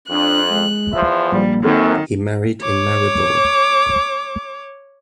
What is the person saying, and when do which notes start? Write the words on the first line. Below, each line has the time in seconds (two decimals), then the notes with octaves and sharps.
He married in Maribor.
0.10 F2 D4 F#6
0.50 G#3
0.93 E2 F3 E5
1.32 A#1 G3 A#3
1.64 F#2 D#3 C4 A4
2.62 C#5 D6